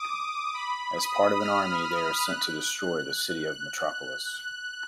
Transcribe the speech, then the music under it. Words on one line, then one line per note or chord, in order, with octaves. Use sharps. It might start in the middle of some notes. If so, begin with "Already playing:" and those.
As part of an army, they are sent to destroy the city of Metropolis.
Already playing: D6 D#6
B5
D#6
F6
F#6